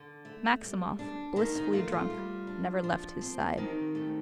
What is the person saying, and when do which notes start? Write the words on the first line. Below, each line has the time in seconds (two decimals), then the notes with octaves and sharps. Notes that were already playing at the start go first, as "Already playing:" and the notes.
Maximov, blissfully drunk, never left his side.
Already playing: D3
0.25 A3
0.63 G3
0.99 D4
1.36 D#3 D#4
1.55 D#4
1.73 A3 F4
1.92 F4
2.10 G3
2.47 D4
2.84 F3
3.21 C4
3.57 D#3 D#4 G4
3.95 A3